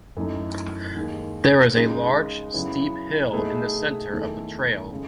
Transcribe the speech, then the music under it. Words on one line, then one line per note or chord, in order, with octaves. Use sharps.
There is a large, steep hill in the center of the trail.
F#2 E3 A3 D#4
D#2 D#3 G#3
C#3 G#3 D#4
C#3 F#3 B3 E4
B2 A3 D#4 G#4 B4
E2 D#3 A3
C#3 G#3